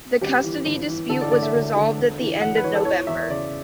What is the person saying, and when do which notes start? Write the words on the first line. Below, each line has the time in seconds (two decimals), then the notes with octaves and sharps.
The custody dispute was resolved at the end of November.
0.21 G1 G4
0.44 E3
0.66 G1
0.88 E3
1.09 D3 A4
1.21 D5
1.31 D3 D5
1.43 E5
1.53 D2
1.76 D3
1.97 E1
2.20 E3
2.41 E3 F#5
2.57 B4
2.64 E3 C#5
2.75 A4
2.85 E2 C#5
3.07 E2 E5
3.29 C#3 D5